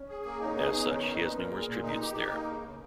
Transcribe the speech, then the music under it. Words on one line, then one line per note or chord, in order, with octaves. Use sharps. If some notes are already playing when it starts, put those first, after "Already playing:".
As such, he has numerous tributes there.
Already playing: C#4
G#4
A#3
C#4 D#4
B3 G#4
D#4
D#3 C#4
D#4
A#2
B4
A#2 A#4
A#2 G#4
A#2
D#4
G4
D#4
A#3
C#3
C#3